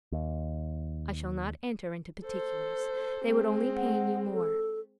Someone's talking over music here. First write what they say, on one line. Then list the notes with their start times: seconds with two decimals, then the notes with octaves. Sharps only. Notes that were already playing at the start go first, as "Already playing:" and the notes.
I shall not enter into particulars--they would only pain you more.
0.12 D#2
2.25 A4 C5
3.25 G#3 C4
3.76 F#5
4.33 A4